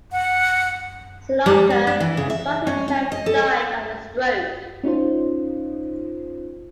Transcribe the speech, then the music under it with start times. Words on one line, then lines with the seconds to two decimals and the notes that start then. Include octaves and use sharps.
Soon after, Struve himself died of a stroke.
0.12 F#5
1.46 G3
1.70 G3
1.87 D4
2.00 E3
2.17 C#3
2.30 E5
2.67 C#4
2.88 C#4
3.12 D#5
3.26 A4
4.84 C#4 D#4 F4 C5